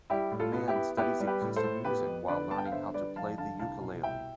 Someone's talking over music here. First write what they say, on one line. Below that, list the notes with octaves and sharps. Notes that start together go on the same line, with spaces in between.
Man studies a piece of music while learning how to play the ukulele.
G3 E4 G4
A2
F4 A4
B3
E4 G4
B3
B3 E4 G4
G3
G4 B4
A2
A4 C5
A2
B3 G4 B4
F2
D3 B4 D5
B3 A5
G5
F5
D3 C5 E5
G3 B4 D5
F2 F5 A5
D3 F5 A5
C2 F5 A5
B2
C2 E5 G5